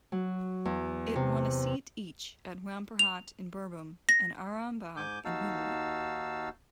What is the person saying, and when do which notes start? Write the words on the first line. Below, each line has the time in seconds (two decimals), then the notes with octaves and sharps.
It won a seat each at Rampurhat in Birbhum and Arambagh in Hooghly.
0.12 F#3
0.65 E2
1.15 C3
2.99 F7
4.09 A#6
4.97 G#2 G#5 D6 G6
5.25 D#2 D#4 F#4 F5 A5 E6